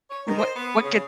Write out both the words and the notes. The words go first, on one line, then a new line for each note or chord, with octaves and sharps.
And what what could
C#5
D#3
C5
B3
C#3